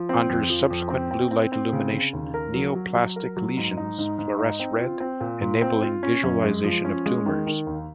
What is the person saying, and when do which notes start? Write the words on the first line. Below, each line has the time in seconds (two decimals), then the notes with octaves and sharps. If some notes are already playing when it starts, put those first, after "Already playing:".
Under subsequent blue light illumination, neoplastic lesions fluoresce red, enabling visualization of tumors.
Already playing: F3
0.09 C4
0.29 F2
0.50 F3
0.70 F2
0.90 C4
1.11 C4
1.31 C4
1.52 C4
1.72 C#3
1.93 C#3
2.13 D#2
2.34 A#4
2.54 F#3
2.75 F#3
2.95 F#3
3.16 A#4
3.37 F#3
3.57 G#2
3.77 D#4
3.98 G#2
4.18 G#2
4.39 D#4
4.60 C4
4.80 F4
5.00 C4
5.21 A#2
5.42 A#2
5.62 C4
5.82 F4
6.03 C#4
6.23 F#2
6.43 G#3
6.64 F3
6.85 C#4
7.06 G#3
7.26 D#3
7.46 D#3
7.67 D#2